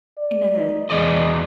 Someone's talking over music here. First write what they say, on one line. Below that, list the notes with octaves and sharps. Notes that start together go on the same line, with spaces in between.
in a
D5
D#4
E2 G#3 D5 D#5